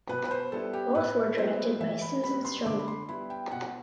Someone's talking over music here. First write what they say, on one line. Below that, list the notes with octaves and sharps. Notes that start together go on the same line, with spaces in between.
Both were directed by Susan Stroman.
B2 B4
B4
C5
G3 B3 E4 A4
G4
A2 B4
F#3 B3 E4 C5
E3 E5
B5
G3 B3 B5
C6
D3 D6
B5
C6
G3 B3 E4 B5
G5
B2 F#5